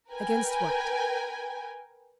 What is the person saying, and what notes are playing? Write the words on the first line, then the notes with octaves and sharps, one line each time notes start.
"Against what?"
A#4 B4 G5 G#5